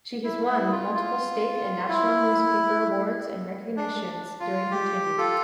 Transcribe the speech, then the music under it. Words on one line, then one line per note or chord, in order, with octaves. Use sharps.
She has won multiple state and national newspaper awards and recognitions during her tenure.
E4
E4
F4
F4
E4
D4
F4
G4
F4 A4